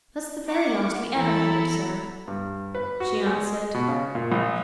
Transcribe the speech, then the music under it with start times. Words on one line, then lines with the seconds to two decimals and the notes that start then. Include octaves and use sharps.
"That's the very last we ever heard, sir," she answered.
0.48 F#5 C#6 D6
1.14 E2 E4 A4 A#5 B5
2.28 G2
2.75 B4
3.00 F#4
3.26 G#3
3.74 B2
3.88 C#3
4.15 A#2
4.32 A#1